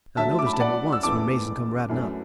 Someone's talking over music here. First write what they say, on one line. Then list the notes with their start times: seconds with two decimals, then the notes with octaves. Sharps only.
I noticed him at once, when Mason come ridin' up.
0.17 D2 D3 F#3 A3 E5 A5
0.39 D6
0.46 B5
0.53 A5
0.60 D5 F#5
0.92 E6
1.03 F#1 E2 E3 A3 D4 A5 D6
1.89 F#2 E3 A3 D4